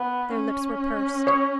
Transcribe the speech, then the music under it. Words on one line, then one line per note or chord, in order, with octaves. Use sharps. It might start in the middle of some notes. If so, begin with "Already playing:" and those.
Their lips were pursed.
Already playing: B3
C#4
C#5